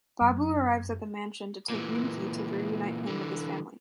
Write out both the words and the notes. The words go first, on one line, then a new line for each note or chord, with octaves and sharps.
Babbu arrives at the mansion to take Nimki to reunite him with his family.
F#2
A#2 E3
D3 E3